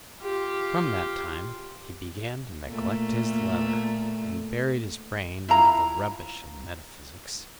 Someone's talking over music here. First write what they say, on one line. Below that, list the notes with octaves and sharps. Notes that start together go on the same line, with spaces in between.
From that time he began to neglect his leather, and buried his brain under the rubbish of metaphysics.
F4 G4
A#2 A3
E4 F4 A#5